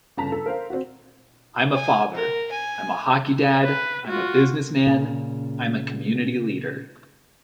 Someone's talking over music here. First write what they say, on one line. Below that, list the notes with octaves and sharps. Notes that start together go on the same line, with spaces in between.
I'm a father, I'm a hockey dad, I'm a businessman, I'm a community leader.
G1 C#3 A5 A#5 B6
A4
A#4 C5 F5
C4 F#4
G#5
A#4
G#5
B4
F4 F#4
A#2 C#3